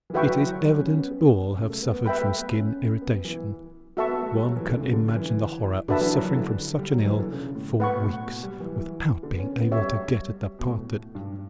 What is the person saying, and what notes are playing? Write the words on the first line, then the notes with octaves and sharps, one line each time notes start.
It is evident all have suffered from skin irritation--one can imagine the horror of suffering from such an ill for weeks without being able to get at the part that itched.
E3
D3 F#4 B4 E5 G5 C#6
F#3
E3
F#3
G3
C#4
C#4
B3
C#3
A3
B3
B3
G3 B4 E5 G5 B5
A3
B3
C#4
B3
E3
B3 F#4 A4 E5 A5 C#6
B3
A3
G3
F#3
E3
D3
C#3
D3
E3
D3 D4 F#4 B4 E5 A5
E3
F#3
E3
D3
G3
F#3
E3
D3
C#3
A2
A2 B4 F#5 C#6
B2
A2
B2
G3
E3
E3
D3
B3
C#4
B3
A3 G4 C#5 E5
G3
F#3
G3
B2
A2
G2